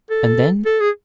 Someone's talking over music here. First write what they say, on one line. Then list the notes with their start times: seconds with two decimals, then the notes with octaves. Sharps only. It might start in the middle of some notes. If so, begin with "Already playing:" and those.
"And then?"
0.11 A4
0.66 A4
0.80 G#4